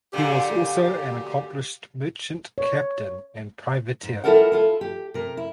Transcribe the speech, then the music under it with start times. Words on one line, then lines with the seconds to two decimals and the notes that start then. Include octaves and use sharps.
He was also an accomplished merchant captain and privateer.
0.13 F#2 A#2 D3 G4
2.58 C#5
4.03 G#2
4.24 G3 E4 F4 A4 A#4 F#5
4.52 E4 F4 A4
4.81 G4
5.14 C3 A#4
5.37 E4